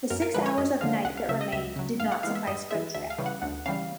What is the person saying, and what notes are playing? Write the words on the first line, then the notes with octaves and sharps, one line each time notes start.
The six hours of night that remained did not suffice for the trip.
F#2 A#4
A#4
D3 F3 G#3 B4
C#5
F#2 D#5
D3 F3 G#3 F5
C#2 F#5
F5
C#3 F#3 E5
D#5
C#2 E5
C#3 F#3
G2 F5
F#5
E3 G#3 F5
E5
G2 D#5
E3 G#3 E5
D2 E5
F5
C#3 E3 G3
F#5
D2 F#5
C#3 E3 G3 F5